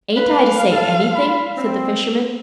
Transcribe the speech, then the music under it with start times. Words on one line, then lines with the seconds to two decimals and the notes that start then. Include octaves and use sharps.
"Ain't I to say anything?" said the fisherman.
0.17 B4 F5
0.68 G2 A4 A5
1.11 G#3 F4 B5
1.57 C4